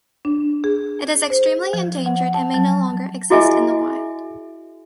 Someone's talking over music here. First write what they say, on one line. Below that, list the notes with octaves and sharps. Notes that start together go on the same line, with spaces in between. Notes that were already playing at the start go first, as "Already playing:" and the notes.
It is extremely endangered and may no longer exist in the wild.
D4
G#4
C5
F3
F#5
A5
F#3
E4 F#4 G#4 D#5 E5 G#5